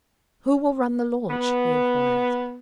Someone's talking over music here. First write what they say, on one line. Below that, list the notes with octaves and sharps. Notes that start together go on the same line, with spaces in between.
"Who will run the launch?" he inquired.
B3